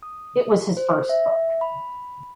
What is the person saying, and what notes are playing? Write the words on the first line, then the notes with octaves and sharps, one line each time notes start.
It was his first book.
D#6
C5
E5
B5